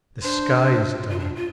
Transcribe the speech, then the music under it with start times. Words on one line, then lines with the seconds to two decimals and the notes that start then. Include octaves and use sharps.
The sky is dull.
0.23 D4 C5
1.10 F4
1.20 D4
1.35 F4